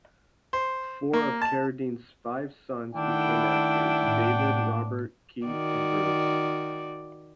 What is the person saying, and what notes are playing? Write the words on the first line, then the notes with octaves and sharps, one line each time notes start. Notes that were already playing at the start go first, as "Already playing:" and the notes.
Four of Carradine's five sons became actors: David, Robert, Keith, and Bruce.
C5
A#3
A5
D#3 A3 D4 E4 F#5 G5
A2
D#3 F#4 D5